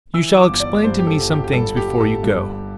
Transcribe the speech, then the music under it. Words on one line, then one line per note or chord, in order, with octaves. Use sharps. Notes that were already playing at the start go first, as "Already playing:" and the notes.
"You shall explain to me some things before you go."
E3 E6
D6
G1
D5
G2 C5
G4
A4
G1
G4
G4
G3 A4
G4
G1
A4
G2